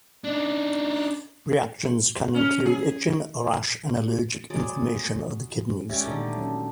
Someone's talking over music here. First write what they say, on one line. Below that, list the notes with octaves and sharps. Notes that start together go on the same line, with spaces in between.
Reactions can include itching, rash and allergic inflammation of the kidneys.
D4 D#4
C#4
G#4
F#3 G#3 D5
G#3 C#4 G4 D5 E5
A#2 D3 D#3 A3 G4 A4
F#3 C#4